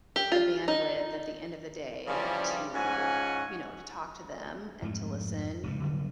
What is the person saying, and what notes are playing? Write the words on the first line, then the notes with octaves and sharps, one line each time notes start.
the bandwidth at the end of the day to, you know, to talk to them and to listen.
G4
F4
D#4
C#3 E3 F3 G3 C#4 D4
G#2 F3 C#4 F#5 G#5
F2 G#2 A3
F1 C#2 G2
C#3 F#3 G3 B3